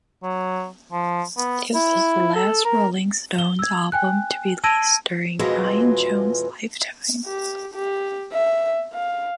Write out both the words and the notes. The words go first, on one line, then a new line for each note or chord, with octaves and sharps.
It was the last Rolling Stones album to be released during Brian Jones' lifetime.
F#3
F3
B3
E4
A4
A#4
G7
E6 G#6
G5 G#5 F#6
A5 E6 G#6 A#6 D7 D#7
F2 B2 E3 F#3 G#3 F4
G4
G4
E5
F5